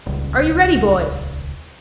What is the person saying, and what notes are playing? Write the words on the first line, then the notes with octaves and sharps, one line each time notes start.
"Are you ready, boys?"
D#1 C#2